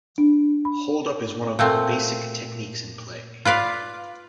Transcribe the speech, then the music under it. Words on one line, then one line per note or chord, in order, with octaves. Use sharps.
Hold up is one of basic techniques in play.
D4
B5
A#2 A3 C4
F4 B4 D5 F5